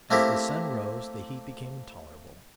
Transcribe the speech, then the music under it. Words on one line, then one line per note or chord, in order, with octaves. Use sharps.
As the sun rose, the heat became intolerable.
A3 A#3 C4 E4 G4